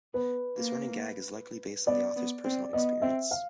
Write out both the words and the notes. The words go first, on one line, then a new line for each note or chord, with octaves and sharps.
This running gag is likely based on the author's personal experience.
B3 B4
A#3
B3 D5
B3
C4
B3 D#5
C4 E5
F5